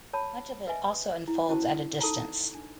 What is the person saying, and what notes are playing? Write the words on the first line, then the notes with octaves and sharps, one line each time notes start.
Much of it also unfolds at a distance.
C#5 A5 B5
B4 D#5 E5 G#5
E4
C#4 E4 F#4 C5 A5
D#4 A4 A5 A#5
D4